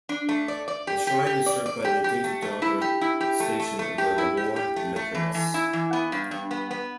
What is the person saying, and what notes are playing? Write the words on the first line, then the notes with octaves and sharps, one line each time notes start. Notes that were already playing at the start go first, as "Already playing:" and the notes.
The shrine is served by the "Data Darbar" station of the Lahore Metrobus.
D4
A3
D5
D5
G4
G4
G4
D5
D5
G4
G4
A3
A3
E4
G4
E4
G4
A3
A3
A3
G4
E4
G4
G4
A3
A3
E3
E3
E4
E3
B3
G2
G2
B3
B3